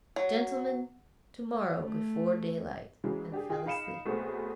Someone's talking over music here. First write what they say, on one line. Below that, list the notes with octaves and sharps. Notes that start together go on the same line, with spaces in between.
"Gentlemen, tomorrow before daylight!" and fell asleep.
F#3
A3
C#3 E3 F#3 G#3
D4 G4 G#4
F4 G#4 G5
D#4 F5 B5 C#7 E7
B1 A3 B3 C4 G#4